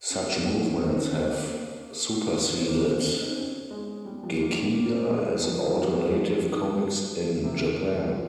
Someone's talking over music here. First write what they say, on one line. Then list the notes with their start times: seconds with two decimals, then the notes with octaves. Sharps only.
Such movements have superseded gekiga as alternative comics in Japan.
0.10 C#4
0.27 C#4
0.43 D#4
0.61 C#4
0.78 C4
0.88 D#4
0.95 C#4
1.12 C4
1.30 A#3
2.60 C4
2.67 A#3
2.85 C4
3.03 C#4
3.19 D#4
3.31 C4
3.37 C#4
3.71 G#3
4.05 G3
4.23 F3
4.41 A#3
4.58 C#4
4.75 A#3
4.92 C4
5.09 G#3
5.26 G3
5.44 F3
5.61 D#3
5.77 F3
5.95 F3
6.13 F3
6.41 C#3
6.47 D#3
7.44 C3
7.50 C#3
7.85 C#3
8.02 F3